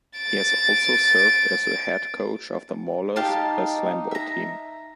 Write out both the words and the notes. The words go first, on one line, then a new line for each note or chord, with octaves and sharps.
He has also served as the head coach of the Maulers, a Slamball team.
A6 D7
D#4 G4 F5 A5
E5 A#5